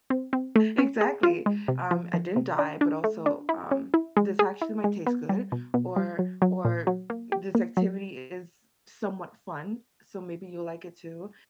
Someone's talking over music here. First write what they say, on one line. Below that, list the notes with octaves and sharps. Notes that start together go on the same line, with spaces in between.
exactly, um, I didn't die, but, also, um, this actually might taste good or or this activity is somewhat fun, so maybe you'll like it too.
C4
C4
A3
C#4
G#4
F4
G#3
C3
F3
F3
C3
D4
D4
A3
D4
E4
C#4
E4
G#3
G#4
E4
G#3
B3
G3
B2
B2
G3
F#3
F#3
A#2
F#3
A#3
G4
A#3
F#3